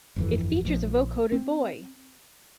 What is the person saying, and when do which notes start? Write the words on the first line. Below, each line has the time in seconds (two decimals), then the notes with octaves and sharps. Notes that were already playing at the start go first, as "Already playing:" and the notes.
It features a vocoded Boy!
0.16 G1 F2 E3
0.65 A#1 F3
1.32 C4